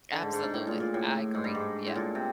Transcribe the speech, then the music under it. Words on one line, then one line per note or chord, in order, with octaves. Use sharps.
Absolutely, I agree, yeah.
D3
G#2
G#2
G#2
A2
A#2
A#2
A2
G#2
G2
G#2
A2
A#2
C3